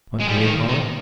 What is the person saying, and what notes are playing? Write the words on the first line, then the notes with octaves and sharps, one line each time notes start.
What do they call it?
G#3
G3
F3
D#3
D#3